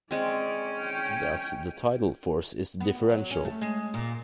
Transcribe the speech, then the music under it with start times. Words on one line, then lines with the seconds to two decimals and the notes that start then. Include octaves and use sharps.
Thus, the tidal force is differential.
0.11 G#3 C4 C#4 D5
0.79 G5
2.80 B3
3.10 F#3
3.31 C#4
3.45 A3
3.62 G#3
3.94 A#2